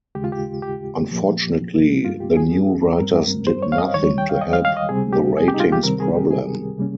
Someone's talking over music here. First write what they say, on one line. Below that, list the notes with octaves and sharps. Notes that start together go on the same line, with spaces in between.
Unfortunately, the new writers did nothing to help the ratings problem.
D#2 C#3 G#3 G4
F4
G4
G4
A#2 F3 A#3
G2 G3 A#3 F4
G4
G#4
G2 G3 C4 A#4
C5
C#5
F5
D#5
D#2 D#3 G3 C#5
G5
F5
D#5
F5
F5
D#5
C#2 C3 G3 C4 G#4
G4
G#4
G4
D#4
F4
G4
C#2 C3 D#3 G3 C4 A#4
G#4
G4
G#4
C3 G3 A#3 C#4